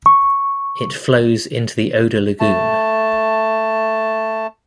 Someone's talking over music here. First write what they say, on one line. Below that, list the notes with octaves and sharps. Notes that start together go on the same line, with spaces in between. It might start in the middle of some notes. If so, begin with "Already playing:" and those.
It flows into the Oder Lagoon.
C#6
A3 A5